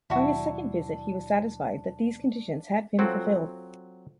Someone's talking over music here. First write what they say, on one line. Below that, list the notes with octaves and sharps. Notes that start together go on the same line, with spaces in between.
On his second visit he was satisfied that these conditions had been fulfilled.
D#2 B2 F#3 D4 E4 F#4
F#3 C4 F4 F#4 A4 C5